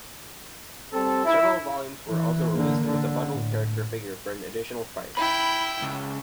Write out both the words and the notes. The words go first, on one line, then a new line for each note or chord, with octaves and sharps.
Several volumes were also released with a bundled character figure for an additional price.
G3 C4 A4
E4
E3
D3 A#3
D3
A2
E4 G5 B5
C#2